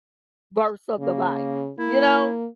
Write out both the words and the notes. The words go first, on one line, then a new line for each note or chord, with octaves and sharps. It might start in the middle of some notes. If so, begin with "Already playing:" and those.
verse of the Bible, you know?
C#3 A#3
A#3 E4